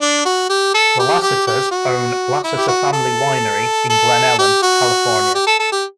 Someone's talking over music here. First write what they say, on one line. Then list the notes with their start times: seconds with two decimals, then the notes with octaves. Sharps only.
The Lasseters own Lasseter Family Winery in Glen Ellen, California.
0.02 D4
0.26 F#4
0.50 G4
0.74 A4
0.99 G4
1.23 G4
1.47 G4
1.72 F#4
2.44 E4
2.58 G4
2.68 F#4
2.93 A4
3.90 A4
4.39 G4
4.63 F#4
5.35 G4
5.47 A4
5.60 A4
5.72 G4